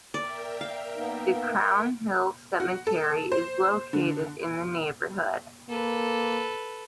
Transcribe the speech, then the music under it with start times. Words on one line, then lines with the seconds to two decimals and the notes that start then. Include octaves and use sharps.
The Crown Hill Cemetery is located in the neighborhood.
0.14 A#4 D5 E5 G5
0.61 F5
0.96 A#3 B3 D#4
2.60 F#4
2.87 A4
3.32 C5
3.93 D3
5.70 A#3 A4 B4